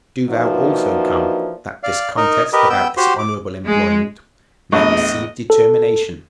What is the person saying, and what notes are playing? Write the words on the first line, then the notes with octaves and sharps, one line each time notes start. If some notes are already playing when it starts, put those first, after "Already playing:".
Do thou also come, that this contest about this honorable employment may receive determination.
E3 F3 A#3 D4 D#4 F#4
D5 F5
D#4 A#4 D#5
G4 A#4 B4 D#5
B3 G5 E6
F#4 G4 C5 C6
D6
G#3
A#1 E2 A3 D#5
A4